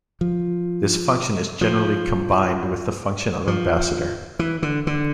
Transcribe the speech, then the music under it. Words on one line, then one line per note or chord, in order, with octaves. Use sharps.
This function is generally combined with the function of Ambassador.
F3
F3
F3
E3
D3
D3